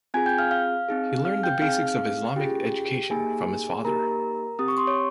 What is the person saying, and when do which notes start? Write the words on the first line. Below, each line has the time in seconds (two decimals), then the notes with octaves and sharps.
He learned the basics of Islamic education from his father.
0.14 C4 F4 G#4 G#5 G#6
0.26 G5 G6
0.38 F5 F6
0.51 F5 F6
0.89 C4 D#4 G#4
1.25 F5 F6
1.43 G5 G6
1.62 C4 D#4 G#4 F5 F6
2.36 C#4 F4 G4 G#4 G5
3.10 A#3 D#4 G4 G#4 G#5
3.84 A#3 D#4 G4 A#4 A#5
4.59 C4 G4 D#6
4.68 C#6
4.77 C6
4.87 C#5 C#6